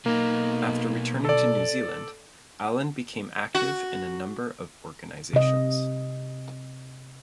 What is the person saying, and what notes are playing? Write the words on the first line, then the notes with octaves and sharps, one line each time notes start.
After returning to New Zealand, Allen became active in a number of organisations.
B2 A#3 D#4
A4 D5
F#4
C3 D#5